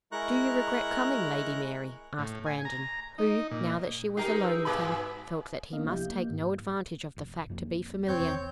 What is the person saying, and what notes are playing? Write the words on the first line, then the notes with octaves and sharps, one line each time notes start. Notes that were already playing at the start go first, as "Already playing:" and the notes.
"Do you regret coming, Lady Mary?" asked Brandon, who, now that she was alone with him, felt that he must take no advantage of the fact to be familiar.
G#3 E4 A#4 A#5 C#6 F#6
A2
G#5
A#5
D#4
A#2
G#3 D#4 G4 A#4 C7
B4 E6
G2 B2 G#3 B5 D6
A#3 B3 D4 A#4 D#5 F5
C2 F3 E4 G4 G6
A#3
G#2
F1
F2 A#3
F1 E2 C4 C#5 G6